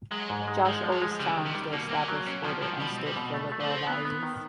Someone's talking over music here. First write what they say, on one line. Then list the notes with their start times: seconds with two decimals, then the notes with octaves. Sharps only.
Josh always challenged the established order and stood for liberal values.
0.11 F#3 G#3
0.30 G#2
0.48 G#3
0.65 F3 G#3
0.84 F3
0.92 F#3
1.02 G#3
1.20 C#3 G3
1.37 D#3
1.46 C3
1.55 G3
1.73 B2 A#3
1.89 B2 A#3
2.00 A#2
2.08 F#3
2.27 B2 C#4
2.45 C3 F3
2.62 D#3 F3
2.81 B2 G3
2.98 C4
3.07 G3
3.17 B2
3.34 A3
3.52 A3
3.61 F3
3.70 C4
3.87 B3
4.05 B3
4.23 D#3